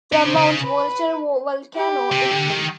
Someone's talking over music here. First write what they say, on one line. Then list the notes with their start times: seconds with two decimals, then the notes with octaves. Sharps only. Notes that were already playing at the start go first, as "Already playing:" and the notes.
From Mount Vulture vulcano, Italy.
0.13 C#3
0.25 C5
0.37 C#3
0.62 B4
1.75 G4
2.12 C3
2.31 D3
2.49 D#3